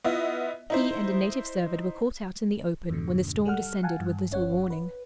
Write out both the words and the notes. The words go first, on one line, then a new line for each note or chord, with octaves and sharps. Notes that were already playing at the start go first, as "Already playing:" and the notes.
He and a native servant were caught out in the open, when the storm descended with little warning.
B3 E4 F4 D#5 E5
D#4 E4 C5
F2 G#2 B2 D3
G3 A4 F#5 F6
F5 F#5 G#5 A5
G2
G1 C#4 C#5 F#5
B4